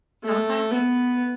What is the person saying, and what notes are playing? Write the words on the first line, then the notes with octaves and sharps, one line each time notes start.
sometimes you
A3
B3